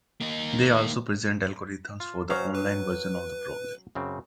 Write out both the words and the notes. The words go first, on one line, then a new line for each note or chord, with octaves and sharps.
They also present algorithms for the "online" version of the problem.
A#3 D#4
F4
F#3 C#4 C5 F5
B4
F#2 C#3 C4